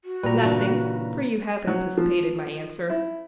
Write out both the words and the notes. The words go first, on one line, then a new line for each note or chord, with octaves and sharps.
"Nothing, for you have anticipated my answer."
F#4
A#2 G3 B4 A#5
C#3 E3 D4
F#3
F3
E4